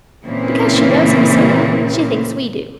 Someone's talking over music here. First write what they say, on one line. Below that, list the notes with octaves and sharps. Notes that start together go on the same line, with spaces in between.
"Because she knows him so well, she thinks we do."
A#2 C#3 E3 A#3 C4